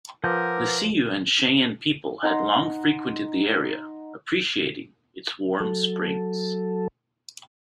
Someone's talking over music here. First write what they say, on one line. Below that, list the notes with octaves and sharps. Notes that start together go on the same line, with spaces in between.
The Sioux and Cheyenne people had long frequented the area, appreciating its warm springs.
F3 A#4 B4 F#5 G#5 D6 E6 G6
D#4 F#5 A#5 C6
F#3 A4